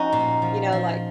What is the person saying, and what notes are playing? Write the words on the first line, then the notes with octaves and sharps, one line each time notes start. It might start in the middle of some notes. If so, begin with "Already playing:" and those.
you know, like
Already playing: F3 C#4 D#4 F#4
A#2
F3
F3